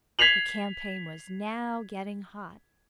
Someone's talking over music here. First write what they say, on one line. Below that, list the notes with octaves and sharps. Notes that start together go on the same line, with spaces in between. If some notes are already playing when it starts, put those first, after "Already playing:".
The campaign was now getting hot.
G#6 B6 C7 F7 F#7